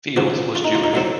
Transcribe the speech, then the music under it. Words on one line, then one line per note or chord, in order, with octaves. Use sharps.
Fields was Jewish.
C#3 F3 C4 F#4
F4
D#4
F4
D#4
A2 F#3 C4